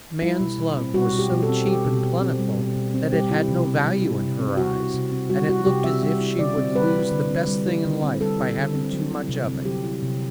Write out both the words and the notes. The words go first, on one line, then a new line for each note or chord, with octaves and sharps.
Man's love was so cheap and plentiful that it had no value in her eyes, and it looked as if she would lose the best thing in life by having too much of it.
G3 E4
B2
B2
C4
G3 F#4
B2
G4
B2
A4
C4
G3 G4
B2
B2
C4
G3
B2
B2
C4
G3 G4
E4
C3
C4
G3
E4
C3
C4
G3 F#4
E4
C3
C4
G3 F#4
E4 F#4
C3 G4
C4 E5
G3 E5
E4
D3 D5
C4
G3 B4
E4
D3
C4
G3
E4
D3
C4
G3 A4
E4
D3
C4
F#3
E4
C3
C4
F#3 G4
E4
C3